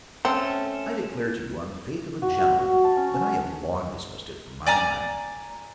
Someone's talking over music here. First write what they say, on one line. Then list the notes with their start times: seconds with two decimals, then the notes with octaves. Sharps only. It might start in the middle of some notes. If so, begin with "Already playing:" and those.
I declare to you, on the faith of a gentleman, that I have long dismissed it from my mind.
0.25 A3 C4 C#4 A4
2.22 F#4
2.39 F#4
2.58 F#4
2.84 A5
2.97 C#4
3.14 C#4
4.66 D5 G#5 A#5